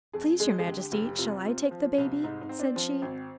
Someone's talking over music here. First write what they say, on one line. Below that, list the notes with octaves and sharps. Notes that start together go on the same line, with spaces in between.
"Please, your Majesty, shall I take the baby?" said she.
F2 G#4
G#3 G#4
G#4
D3 G4
F1 G4
C3 F4
C4
F3
C2
G#2 D#4
D#4
C4
D4
F3 C4
G#1 C4